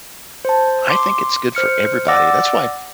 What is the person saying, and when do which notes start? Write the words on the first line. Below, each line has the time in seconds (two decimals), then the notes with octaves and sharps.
I think it's good for everybody. That's why
0.45 C5 A5
0.89 C6 D6
1.55 C5 F6 C#7
2.08 D5 F#5 D6 E6 A6 A#6